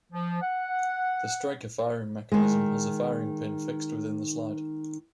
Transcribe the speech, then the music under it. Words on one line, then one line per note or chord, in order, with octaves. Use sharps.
The striker firing mechanism has a firing pin fixed within the slide.
F3
F#5
D#3 G#3